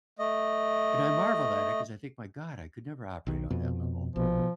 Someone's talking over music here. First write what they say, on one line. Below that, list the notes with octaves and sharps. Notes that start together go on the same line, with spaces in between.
And I marvel at it, 'cause I think, "My God, I could never operate on that level,"
A3 D#5
B1 D#3
F2 B2
A#1 B2 F3